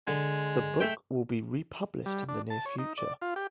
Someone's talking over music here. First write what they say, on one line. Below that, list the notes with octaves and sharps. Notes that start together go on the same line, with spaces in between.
The book will be republished in the near future.
D3 G#3
A3 E5 G5
G3
D4
A5
C#5
D#4
D5
F4
G4